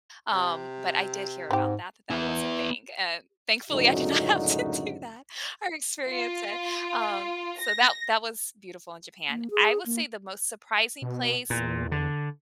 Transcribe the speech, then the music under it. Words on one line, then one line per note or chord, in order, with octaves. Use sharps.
Um, but I did hear about that, that that was a thing. Uh, thankfully, I did not have to do that or experience it, um, so that that was beautiful in Japan. I would say the most surprising place
C3
G#2 C4 G4
B3 E4
C#2 F#2 A2 D3 D#4 F#4
F4
A#6
A#3
G#4
A#3
B2
E2 A#2
D3